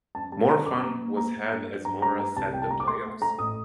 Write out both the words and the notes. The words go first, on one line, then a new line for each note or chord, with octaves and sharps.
More fun was had as Mora said the Playoffs?
F#2 A5
G3 A5
G3 A#5
F#2 D6
A#3 A#5
A#3
A#3 A#5
A#3
G2
G2
G2 A#5
G2 A#5
A3 A#5
C2 A5
C2 G5
A5
A3 A#5
D6
A3 C6
A3
A3 A#5
A1 D#6